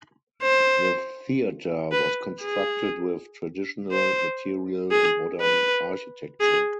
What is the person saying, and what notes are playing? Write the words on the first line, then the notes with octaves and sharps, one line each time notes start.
The theatre was constructed with traditional material and modern architecture.
C5
B4
G#4
C5
G#4
B4
G#4